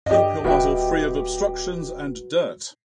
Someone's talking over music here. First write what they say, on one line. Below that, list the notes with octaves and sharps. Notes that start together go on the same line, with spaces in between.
Keep your muzzle free of obstructions and dirt.
G2 G4 D5 D#5
D#1 F#4 A#4 B4 E5 G5